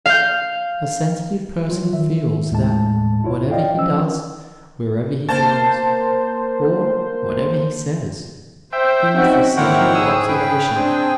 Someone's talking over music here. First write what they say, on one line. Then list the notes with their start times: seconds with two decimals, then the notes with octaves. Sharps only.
A sensitive person feels that, whatever he does, wherever he goes, or whatever he says, he is the center of observation.
0.06 F5 G6
1.69 F#3 F4
1.93 D#3 E5
2.51 D#2 A2 G#3 A5
3.24 E4 F4 C#5
3.51 D5 D#5 F5 G5
3.76 F3 C#4 E6
5.29 A#3 C5 A5
8.73 C5 E5 G5
9.14 C4 C#4 D#4 F#4
9.57 G#2 A#3 C4 E4 C#5 F#5 G5
9.95 G#4 D#6 E6
10.29 C#3 B4 G5
10.76 C4 D4 G#4